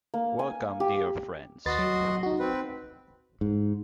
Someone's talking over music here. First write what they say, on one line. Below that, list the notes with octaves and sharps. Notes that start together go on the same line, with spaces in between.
Welcome, dear friends.
A#3
G#5
G4
D#2 F#4 B4 D#5 C6 A6
F#3
D#4 F#4
C4 B4
G#2